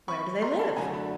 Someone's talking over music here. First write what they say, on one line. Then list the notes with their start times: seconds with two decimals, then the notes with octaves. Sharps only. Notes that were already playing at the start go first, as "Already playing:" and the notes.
"Where do they live?"
0.08 B5 C#6
0.42 A#5 C6
0.59 A5 B5
0.76 F#2 D3 F#3 A3 D4 G#5 A#5
0.94 A5 B5